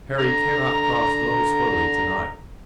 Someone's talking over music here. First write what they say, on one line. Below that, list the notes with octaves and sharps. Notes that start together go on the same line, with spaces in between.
Harry cannot cross Lough Swilly to-night.
D3 A#5